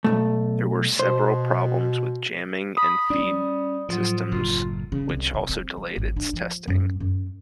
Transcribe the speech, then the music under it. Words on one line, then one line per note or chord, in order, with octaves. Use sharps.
There were several problems with jamming and feed systems, which also delayed its testing.
B1 G2 A3
B2 C5
B5 D#6
G3 C#4 D4 D5
A2 F3 F#3 F4
F#1 F4
C#3
C2
C3
C4
C3
G#1
D4
F3
F#2
F#2